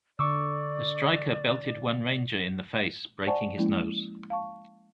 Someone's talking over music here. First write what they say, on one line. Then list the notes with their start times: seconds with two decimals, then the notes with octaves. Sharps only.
A striker belted one Ranger in the face, breaking his nose.
0.19 D3 D5 C#6 D6 E6
3.27 C5 D5 F#5 G#5 A5 C#6
3.57 F3 G#3 A#3 C#4 E4
4.30 F5 A5 C#6